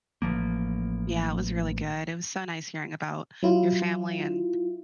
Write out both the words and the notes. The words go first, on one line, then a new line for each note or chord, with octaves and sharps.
Yeah, it was really good. It was so nice hearing about your family and
A1 F3 A#3
F#3 E4 F4